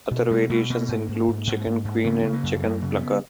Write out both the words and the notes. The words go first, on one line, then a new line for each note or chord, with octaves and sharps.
Other variations include chicken queen and chicken plucker.
B2
B2 G#3
B2 G#3
B2 A#3
G#2
G#2
G#2
G#2
G#2
G#2
C#3 B3
C#3
A#3
F#2
F#2 A#3
C#3
B3
C#3